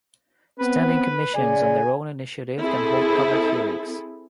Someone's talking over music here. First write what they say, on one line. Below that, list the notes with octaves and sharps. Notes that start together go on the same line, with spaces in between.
Standing commissions on their own initiative can hold public hearings.
B3 C4 B4
C#3 G#4 D5 G#5
C4 E4 G#4 A4